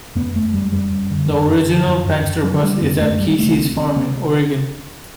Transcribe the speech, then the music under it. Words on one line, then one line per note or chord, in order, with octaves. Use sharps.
The original Prankster bus is at Kesey's farm in Oregon.
F#2 B3
F#2 A3
F#2 G3
F#2 G3
F#2
D3
F#2
F#2
D3
F#2
F#2
F#2
D3 F#3
D3 G3
F#2 B3
F#2 A3
C2 G3
C3 A3
C2 C4
C2 C4
C3 B3